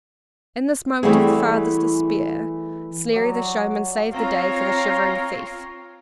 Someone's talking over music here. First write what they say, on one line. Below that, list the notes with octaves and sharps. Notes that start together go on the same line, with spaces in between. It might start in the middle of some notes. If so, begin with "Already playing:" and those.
In this moment of the father's despair, Sleary the showman saved the day for the shivering thief.
E3 G3 A3 C4 F#4 G#4
F#3 D5
C4 F4 C#5 F5 A#5